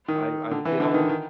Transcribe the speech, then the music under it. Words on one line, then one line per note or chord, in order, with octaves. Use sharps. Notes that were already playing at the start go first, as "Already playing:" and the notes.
I I would get all
D#3
D3
E3
D3
D#3
D#3